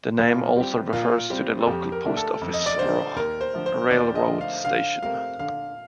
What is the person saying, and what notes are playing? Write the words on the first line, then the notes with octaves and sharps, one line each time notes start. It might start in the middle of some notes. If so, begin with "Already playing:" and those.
The name also refers to the local post office or railroad station.
A#2 F4
G3 C4 G4
A#2 F4
G3 C4 G4
A4
F2 G4
A#4
D3 A3 D4
A4
F2
D#5
D5
D3 A3 D4 C5
D#2 A#4
C5
D3 F3 A3
C5
D#2 D5
D#5
D3 F3 A3
F5
D3 F5
A3 C4 G4 A#4 F5
D3 F5